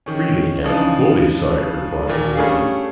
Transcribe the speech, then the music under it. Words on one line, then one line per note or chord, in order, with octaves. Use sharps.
"Freely and fully, sire," replied Wolsey.
D#3 C#4
C#3 E3 F3 D4 D#4 F4
D#2 A#2
G3 A3 C#4 D4 G#4 F5